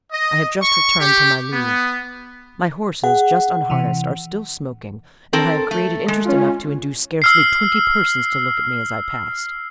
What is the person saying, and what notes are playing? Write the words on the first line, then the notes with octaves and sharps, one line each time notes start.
I have just returned to my Louvre; my horses, just unharnessed, are still smoking, and I have created interest enough to induce scarcely twenty persons to look at me as I passed.
D#5
C#6
G4
B3
G#4 F#5
C3 E3
C4 A4 A#4
A3
G#3
C#4 F4
E6 F6 C7